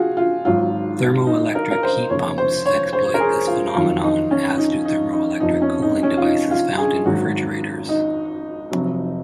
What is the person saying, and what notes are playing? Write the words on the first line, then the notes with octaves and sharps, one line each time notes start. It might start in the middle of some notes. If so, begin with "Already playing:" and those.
Thermoelectric heat pumps exploit this phenomenon, as do thermoelectric cooling devices found in refrigerators.
Already playing: C3 F3 F4 F#4 G#4
F4
G#1 G#2 F#3 F4
D#4
A#4
A#4
C5
F1 D#2 C#3 C#5
C5
C#5
C5
A#4
G#4
F4
F2 D#3 F#3 F4
D#4
C#4
D#4
D#4
D#4
F1 F2 C3 F3 D#4
C#4
D#4
C#4
F4
D#4
F4
G#4
G#1 G#2 D#3 F#3 F#4
D#4
F1 F2 C3 F#3